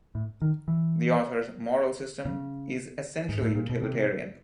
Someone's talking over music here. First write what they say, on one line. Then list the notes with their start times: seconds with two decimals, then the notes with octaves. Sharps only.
The author's moral system, is essentially utilitarian.
0.15 A2
0.42 D#3
0.68 E3
2.25 C#3
3.29 G#2
3.42 A2
3.55 A#2
3.70 B2
3.83 C3